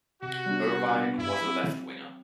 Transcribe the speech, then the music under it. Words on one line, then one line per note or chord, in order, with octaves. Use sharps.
Irvine was a left winger.
C3 F#4
G3 B3 D4
C3
G3 B3 D4
G2 E4
F#3 C4